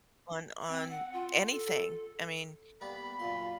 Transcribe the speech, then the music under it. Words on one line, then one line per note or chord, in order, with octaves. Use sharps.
on on anything, I mean,
C4
F#5
F4
A4
G3 A#3 B3 B5
F#2 A#2 F4 C6